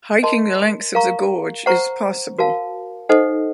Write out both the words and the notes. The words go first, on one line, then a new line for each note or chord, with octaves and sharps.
Hiking the length of the gorge is possible.
A#4 D#5 A5 C6
A#4 F5 A#5 C#6
C5 F#5 A#5 C#6
F#4 A#4 F5 A5
D#4 A4 C5 D#5 F#5